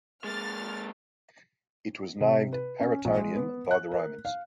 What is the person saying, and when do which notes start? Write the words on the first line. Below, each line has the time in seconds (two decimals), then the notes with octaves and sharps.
It was named Paraetonium by the Romans.
0.24 G#3 A#3 F6 A6
2.20 C3
2.53 B4
2.80 C#4
3.05 A#1
3.17 G#3
3.35 B3
3.71 F#6
3.91 A#4
4.25 F5